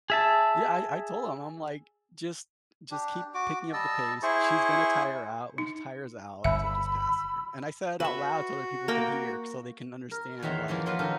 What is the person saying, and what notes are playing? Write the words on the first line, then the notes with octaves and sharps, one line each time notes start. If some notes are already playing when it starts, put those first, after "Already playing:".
Yeah, I I told him, I'm like, "Just just keep picking up the pace. She's gonna tire out. When she tires out, so, just pass her." And I said it out loud so other people can hear, so they can understand, like,
G#4 E5 A5
D4 G4
F#4 D6
G3 D#5 A5 E6
E4 G#4 C5 C#6
D#4
G1 E5 B5 E6
F#4 B4 E5
A#3 A#4 G5
A#4
E2 D#3 C#5 E5 A#5 C6
F#2 E3 F3 A#3
F3 F#3 A#3 F4 B4 D#5
D#3 C#4 D#4 A4